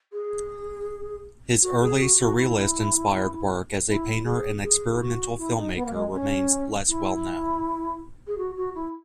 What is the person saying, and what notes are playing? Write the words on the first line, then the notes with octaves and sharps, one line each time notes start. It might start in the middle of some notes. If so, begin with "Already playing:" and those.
His early, surrealist-inspired work as a painter and experimental filmmaker remains less well known.
G#4
F#4
G#4
F#4
F#4
E4
E4
G#4
G#4
E4
F#4
E4
D#4
B3
A#3
G#3
C#4
E4
G#4
F#4
F#4
E4